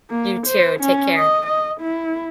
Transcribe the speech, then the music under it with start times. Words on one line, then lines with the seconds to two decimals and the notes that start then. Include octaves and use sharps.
You too. Take care.
0.10 A#3
0.47 C5
0.80 C#4
1.17 D#5
1.47 D#5
1.81 E4